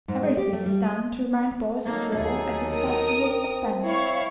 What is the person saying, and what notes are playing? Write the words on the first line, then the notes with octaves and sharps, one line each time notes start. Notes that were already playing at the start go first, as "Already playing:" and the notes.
Everything is done to remind boys of war at this Festival of Banners.
G#2
G#3
G4
A3
G3
D#5
F#3 A#3 D#4 A4
D#2 G#4
A#4 D#6
C4
E4 C#5 F5 C#6